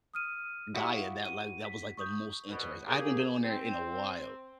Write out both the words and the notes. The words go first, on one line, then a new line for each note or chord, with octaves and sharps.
Gaia, that, like that was, like, the most interest I haven't been on there in a while.
D#6 F6 D#7
E4 F#4 G4 F5 D#6
D#7
B6
C#6 D#6 G6
C2 B2
A#3 C#4 G4 G#4
C4